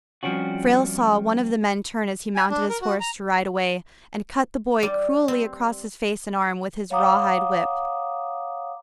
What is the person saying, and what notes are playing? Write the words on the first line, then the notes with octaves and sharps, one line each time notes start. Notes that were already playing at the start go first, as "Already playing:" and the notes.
Frale saw one of the men turn as he mounted his horse to ride away, and cut the boy cruelly across his face and arm with his rawhide whip.
F3 G3 C4 C#4 F#4
G#5
D4
A#4
F#4
A#5
G3
C4
C#5 F5 F#5 A#5 D6 D#6